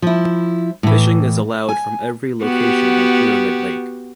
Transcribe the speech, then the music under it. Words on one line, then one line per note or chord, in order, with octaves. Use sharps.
Fishing is allowed from every location at Pyramid Lake.
F3 E4
A2 E3
G#5
B3 F#4 G4